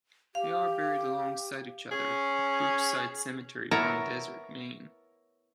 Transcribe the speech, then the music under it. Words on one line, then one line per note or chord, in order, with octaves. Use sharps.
They are buried alongside each other at Brookside Cemetery, Mount Desert, Maine.
G4 F5
C#4 G#4
B3 E4 A#4 C#5 A5 A#5